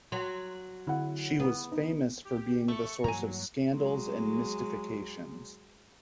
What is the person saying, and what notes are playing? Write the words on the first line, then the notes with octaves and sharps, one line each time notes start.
She was famous for being the source of scandals and mystifications.
F#3 C6
D3 E4 F#5
B3
D#4
G4
A3 C#6
G2 E3 F#3 A#3 G#5 A#5
F#3 G#3